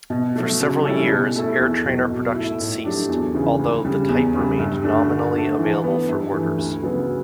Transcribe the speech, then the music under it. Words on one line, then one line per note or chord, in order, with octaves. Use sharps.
For several years Airtrainer production ceased, although the type remained nominally available for orders.
B2
F#3 A3
C#3
G3 C#4 E4 A4
B2
A3 E4 A4
E2
B2 F#3
B2
A3 E4
A2
F#3 A3 D4 G4
E2
C#3 E3
D2
C#3 G3
E2
C#3 G3
G2
D3 A3 D4
D3
A3 D4
E3
B3 D4
G2
E3 A3
D2
C#3 F#3 B3